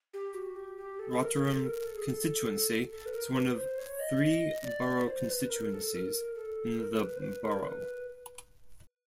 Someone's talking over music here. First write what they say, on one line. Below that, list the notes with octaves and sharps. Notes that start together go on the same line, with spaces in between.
Rotherham constituency is one of three borough constituencies in the borough.
G4
F#4
G4
G4
A4
A#4
A4
A#4
A4
G#4
A4
A4
B4
A#4
B4
B4
C5
C#5
D#5
D5
C5
B4
A#4
A4
A#4
A4
A#4
B4
C5
B4
A#4
B4